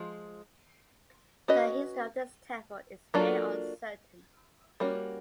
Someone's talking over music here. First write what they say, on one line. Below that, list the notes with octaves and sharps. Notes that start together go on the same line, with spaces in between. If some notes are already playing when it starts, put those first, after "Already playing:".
The history of this temple is very uncertain.
Already playing: F3 G#3 F4
C#4 F#4 B4 D#5
F#3 A#3 D4 F4 A4
G3 A#3 C#4 F#4